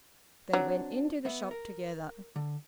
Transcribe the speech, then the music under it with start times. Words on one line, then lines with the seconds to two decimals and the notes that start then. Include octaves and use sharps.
They went into the shop together.
0.53 F#3 C4 D4
1.25 B3 E5
1.51 A#4
2.36 D3